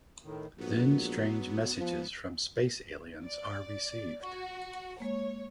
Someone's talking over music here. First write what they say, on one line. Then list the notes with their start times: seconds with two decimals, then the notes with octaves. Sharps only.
Then strange messages from space aliens are received.
0.24 A2 D#3
0.58 A#1 G#2 F#3 B3
1.78 F3
3.25 D5
4.23 F#4 C#6
5.00 G#3 A#3 C#5